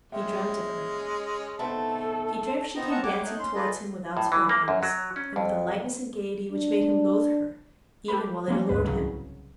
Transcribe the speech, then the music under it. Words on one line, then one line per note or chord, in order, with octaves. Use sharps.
He dreamt of her; he dreamt she came dancing towards him with outspread arms, and with a lightness and gaiety which made him loathe her, even while it allured him.
A#2 G#3 C#4 E5 G5
B2 A3 B3 C4 D#4 A4
B3 C4 D#4 A#5
C4 C#4 F#5 A5 A#5 C#6
A#3 G4 C#5 F#5 D6
A3 D#4 C#5 F#6 G6
C#4 C6
F4 G#4 A4 B4 D#5
A2
E3
A#3
F#2
F#3
C#4
F2
D4
G4 A4 B4 B5
F3 A#3 C#4
D2 G#2 B4
C2 C#3 F#3